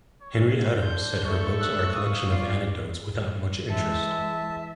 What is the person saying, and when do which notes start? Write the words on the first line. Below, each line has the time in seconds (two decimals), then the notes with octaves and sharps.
Henry Adams said her books are a collection of anecdotes without much interest.
0.21 C#5
0.80 D4 C5 G6
1.25 A3 A4 C#6
1.59 E6 F#6
1.93 F5 D#6
2.31 F4 D5
3.70 E3 G#3 E5 A5